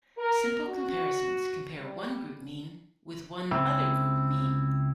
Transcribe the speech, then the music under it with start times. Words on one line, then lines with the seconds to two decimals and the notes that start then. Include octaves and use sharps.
Simple comparisons compare one group mean with one other group mean.
0.18 A#4
0.67 F#4
1.78 G3
3.51 C#2 C4 E4